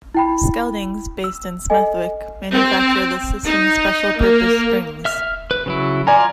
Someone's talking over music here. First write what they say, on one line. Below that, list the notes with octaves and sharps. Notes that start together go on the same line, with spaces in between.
Skeldings, based in Smethwick, manufacture the system's special purpose springs.
E4 G5 B5
E6
A4 D#5 G#5
C4
D#4
A#3
E5 F6
B4
C#3 F#3 E4
F4 D5 G#5 A#5